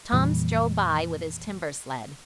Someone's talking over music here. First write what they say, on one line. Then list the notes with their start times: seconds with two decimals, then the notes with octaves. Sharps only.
Tom strode by with his timber sled.
0.12 F2 A#2 E3 G3